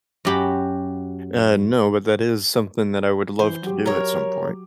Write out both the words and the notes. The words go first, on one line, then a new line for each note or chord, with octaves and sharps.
Uh, no, but that is something that I would love to do at some point.
F#2 F#4 G4 B5
E3 C5
F#3 G4
A#4 C#5